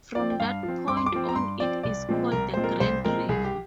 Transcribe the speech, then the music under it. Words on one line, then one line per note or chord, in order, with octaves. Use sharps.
From that point on it is called the Grand River.
F3 C4 D5
G5
G2 F5
F3
C4
G2 D6
C6
D6
F3 C4
A#5
G2 C6
F3 C4 D5
C2 D5
A#2 F3 G#3 C4
C2 A#4
A#2 F3 G#3 C4 C5
A#4
C2 C5
A#2 F3 G#3 C4 A#4
C2 G#4
G4